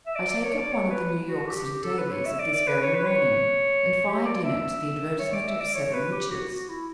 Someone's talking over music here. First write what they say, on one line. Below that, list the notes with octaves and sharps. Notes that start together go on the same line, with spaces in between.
I take up one of the New York City dailies of this very morning, and find in it the advertisements of seven Witches.
E5
D5
D5
C#5
D5
C#5
B4
F#4
G4
G4
A4
B4
C#5
E5
D5
D5
B4
C#5
B4
C#5
G4
D5
E5
C#5
D5
E5
D5
C#5
B4
G4
F#4
F#4
E4